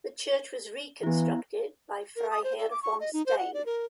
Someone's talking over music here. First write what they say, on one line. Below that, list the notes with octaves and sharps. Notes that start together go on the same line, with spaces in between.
The church was reconstructed by Freiherr vom Stein.
E3 B3 E4
A#4
D#6
C5
A4
D6
C#6
D#5
D#4
C5
F#5
D5
A#4